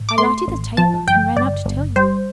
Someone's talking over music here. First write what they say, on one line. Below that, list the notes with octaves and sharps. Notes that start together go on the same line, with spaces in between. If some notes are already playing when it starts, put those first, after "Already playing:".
I lighted the taper, and ran up to tell you.
Already playing: A1
D6
A3 C6
A1
F3 A5
G1 G5
G1 D5
G1
G3 C5